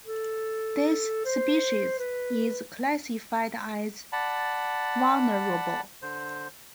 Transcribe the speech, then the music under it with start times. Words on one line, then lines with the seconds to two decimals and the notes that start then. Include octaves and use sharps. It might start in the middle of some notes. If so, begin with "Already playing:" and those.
This species is classified as vulnerable.
0.04 A4
1.25 C5
1.99 B4
4.12 D5 F#5 A5 B5
6.02 D3 C5